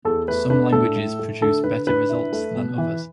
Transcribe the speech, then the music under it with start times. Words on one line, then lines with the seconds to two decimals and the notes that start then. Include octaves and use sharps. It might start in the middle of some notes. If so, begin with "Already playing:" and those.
Some languages produce better results than others.
0.05 E2 A4
0.28 A3 B4
0.50 D4 B4
0.72 A2 A4
0.96 A2
1.19 A3
1.42 D3 A4
1.64 D3 B4
1.87 D4 B4
2.09 E4
2.33 A3
2.55 B2
2.78 E3